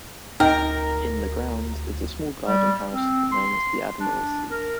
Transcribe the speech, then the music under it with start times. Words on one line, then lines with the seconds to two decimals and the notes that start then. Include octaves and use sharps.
In the grounds is a small garden house known as The Admirals Seat.
0.40 D2 D#4 A#4 G5
2.45 G3
2.91 C4
3.32 C6
4.00 D4
4.51 A#4